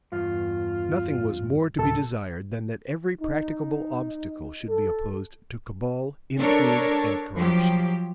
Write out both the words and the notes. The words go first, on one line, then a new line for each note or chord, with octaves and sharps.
Nothing was more to be desired than that every practicable obstacle should be opposed to cabal, intrigue, and corruption.
E2 G2 F4
D1 A4
D#4
A4
D4 A4 A#4 C#5
F3 F#3 G4